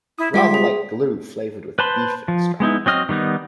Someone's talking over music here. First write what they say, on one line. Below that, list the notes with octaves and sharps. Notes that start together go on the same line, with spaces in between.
Rather like glue flavoured with beef extract.
E4 D#6
G3 G#3 F4 E5 G5 C6 B6
G#4
B4 C5 A5 B5 C6
F3
G#3 B3 D#4 E4
F#3 C4 D#5 F6
D#3 G3 B3 D#4